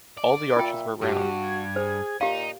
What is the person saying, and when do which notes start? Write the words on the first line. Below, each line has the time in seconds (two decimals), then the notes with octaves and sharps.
All the arches were round.
0.17 D5
0.57 A#2 F4 E5 G5
1.01 G2 F#4 G4
1.43 G#6
1.76 G#4 C5
2.21 A#2 D#4 G4 F5